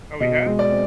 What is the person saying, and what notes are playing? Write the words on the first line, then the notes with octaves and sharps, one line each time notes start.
Oh, he has?
B2 D#5
G#3
D5
C4